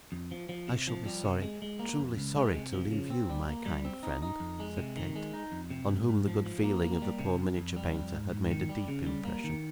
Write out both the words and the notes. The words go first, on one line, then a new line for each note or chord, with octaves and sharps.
'I shall be sorry--truly sorry to leave you, my kind friend,' said Kate, on whom the good feeling of the poor miniature painter had made a deep impression.
F2
F3
F3
C3
F3
G3
C3
G#3
G#3
A#3
F2
C#2
G#3
C3
F3
C#3
C4
G3
A#3
G3
C4
D#4
D#4
F2
G#3
C3
D#3
G#3
D#4
F2
C3
G#2
G#2
F3
F3
A#3
A#3
G3
C3
F2
F2
G3
F2
G#2
G#2
D#3
G3
C#3
G3
A#3
D#3